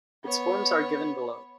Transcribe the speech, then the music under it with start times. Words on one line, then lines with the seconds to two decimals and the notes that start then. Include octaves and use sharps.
Its forms are given below.
0.24 B3 C#5